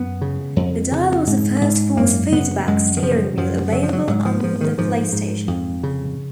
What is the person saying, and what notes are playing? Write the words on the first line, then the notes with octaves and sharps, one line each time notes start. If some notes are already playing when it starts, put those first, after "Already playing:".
The dial was the first force feedback steering wheel available on the PlayStation.
Already playing: F#2 B3
C#3
F2
C#3
G#2
G#2
F#2 A#3
C#3 B3
F#2 G#3
D#3
C#3 F3
F#2 F3
C#3 F#3
F3
F#3
G#2 F#3
F3
G#2 F3
D#3
G#2 F3
G#2
F2
C#3